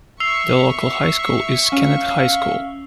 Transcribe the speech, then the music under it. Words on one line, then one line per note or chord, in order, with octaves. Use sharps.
The local high school is Kennett High School.
E5 C#6 E6 C7 F7
C#4 F5